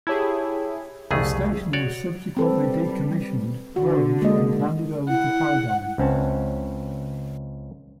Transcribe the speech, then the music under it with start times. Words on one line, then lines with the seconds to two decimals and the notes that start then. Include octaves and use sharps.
The station was subsequently decommissioned, closed and handed over to Paradigm.
0.07 E4 G4 G#4 C#5 A5 G#6
1.11 C2 F2 C#3 A3 G#4
1.73 F#4 C#5 D5
2.37 G3 C4 A4 B4
3.76 D3 F#4
4.22 G#3 A#3 D#5
5.08 E4 F#5
5.98 C#2 C4 C#4 A5